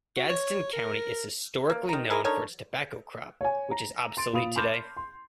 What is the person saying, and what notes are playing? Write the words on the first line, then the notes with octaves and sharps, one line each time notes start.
Gadsden County is historically known for its tobacco crop which is obsolete today.
F#4
C#5
A#4
A#3
D#3 A#5
E4 G#4 A#4
D3 D#4 A#4 C#5
C#5 G#5
A#5
C6 A6 D7
A#2 F5 B5 D#6 F7
A5 B5 C6 D6 F6 G6
C6